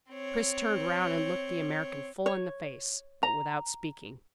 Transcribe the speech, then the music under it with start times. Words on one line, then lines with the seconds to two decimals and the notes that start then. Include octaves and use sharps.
Chris turned round and looked the American full in the face, but without speaking.
0.10 C4 C#5
2.26 C#5
3.23 A#5